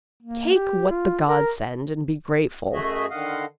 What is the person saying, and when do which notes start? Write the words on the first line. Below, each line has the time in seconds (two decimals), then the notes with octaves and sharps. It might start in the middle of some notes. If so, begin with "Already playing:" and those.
"Take what the gods send and be grateful."
0.23 A#3
0.55 G4
0.90 F4
1.28 A#4
2.72 F#2 A3 F#4 G#4 D#5 E5
3.10 D3 D#3 D#5 F5 F#5